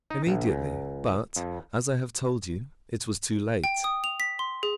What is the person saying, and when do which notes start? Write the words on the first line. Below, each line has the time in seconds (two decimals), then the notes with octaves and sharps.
"Immediately; but, as I have told you, it was too late."
0.10 D#4
0.27 A#1
0.49 C#2
1.36 F2
3.64 G5
3.84 D#6
4.04 F7
4.20 B6
4.39 C6
4.63 G#4